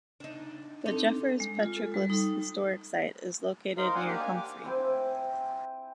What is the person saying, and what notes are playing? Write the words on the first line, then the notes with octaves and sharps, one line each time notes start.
The Jeffers Petroglyphs Historic Site is located near Comfrey.
D4 D#4
C4 D4 D#4 A4
G#3
F4
A4
G3
D#4
D#4 A#4 C5 F5
D5 F5 F#5 G#5
A#3 D4 G4 F5
G#5
D6
C4 E4 G5 G#5